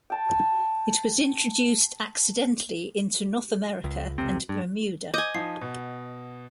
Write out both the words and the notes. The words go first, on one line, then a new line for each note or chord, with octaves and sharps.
It was introduced accidentally into North America and Bermuda.
G5 A5
C#2
F1 C#2 C3 C4
G2
D#5 G#5 D6 D#6 G6
F3 D#4 C7
B2